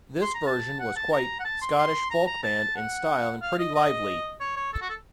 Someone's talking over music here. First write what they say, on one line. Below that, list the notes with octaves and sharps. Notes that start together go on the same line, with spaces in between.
This version was quite "Scottish folk band" in style and pretty lively.
C6
A#5
A5
F#5
A5
A#5
F#5
A5
C6
C6
A#5
A#5
A5
F#5
F5
D#5
D#5
C#5
C#5
A4
F#4
A4